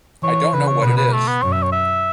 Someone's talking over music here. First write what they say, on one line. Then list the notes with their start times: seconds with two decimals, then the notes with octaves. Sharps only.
I don’t know what it is.
0.23 E3 C#5
0.53 C#3 B4
0.67 C#5
0.82 B2 B4
0.97 B4
1.13 A3
1.27 B3
1.42 F#2 C#5
1.52 E5
1.62 C#5
1.72 E5